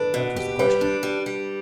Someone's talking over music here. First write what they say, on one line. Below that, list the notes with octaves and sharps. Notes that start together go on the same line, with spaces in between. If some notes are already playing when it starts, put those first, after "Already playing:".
That was the question.
Already playing: D4 A4 B4
B2
G4
G3 B4
D4
G3
G3